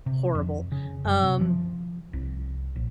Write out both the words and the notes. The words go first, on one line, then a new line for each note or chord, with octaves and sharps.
horrible. Um
C3
F2
C#3
F#2
C3
F3
C2
A#1